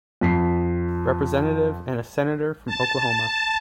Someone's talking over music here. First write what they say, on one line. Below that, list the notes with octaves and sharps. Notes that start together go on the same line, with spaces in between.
Representative and a Senator from Oklahoma.
F2 B6 C7
A5